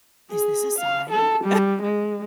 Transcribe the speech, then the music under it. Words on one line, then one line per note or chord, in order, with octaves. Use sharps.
"Is this a sign?"
G#4
F5
A4
G3
G#3